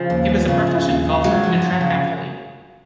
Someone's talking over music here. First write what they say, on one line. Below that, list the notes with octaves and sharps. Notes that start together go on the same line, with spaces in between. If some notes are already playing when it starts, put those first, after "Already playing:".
He was a proficient golfer and track athlete.
Already playing: C#3 F3
D#2
B3
C#3
C#3
D#2
C#3
F#3 G#3
F3
F3
C#3